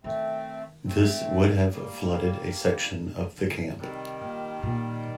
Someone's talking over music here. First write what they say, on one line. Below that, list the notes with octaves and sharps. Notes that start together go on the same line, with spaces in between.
This would have flooded a section of the camp.
D#3 A3 C4
A3 C4
G3 A#3
D3
C3 D#3 G3
A#2
A#2